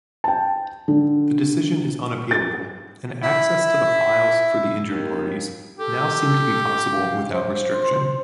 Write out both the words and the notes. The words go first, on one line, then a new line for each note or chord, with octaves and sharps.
The decision is unappealable and access to the files for the injured parties now seemed to be possible without restriction.
G5 A5
D3
A6
E4
D#2
G4 A4
F5
C5